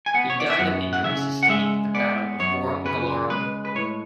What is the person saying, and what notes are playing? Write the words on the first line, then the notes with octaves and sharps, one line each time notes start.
He died of injuries sustained at the Battle of Forum Gallorum.
G#5
B3 F#5
C#5
D5
E5
F#2 F#5
F#5
C#3 E5
F#5
G#3 E5
B3 D5
F#2 C#5
C#3 B4
G#3 B4
B4
A2 C#5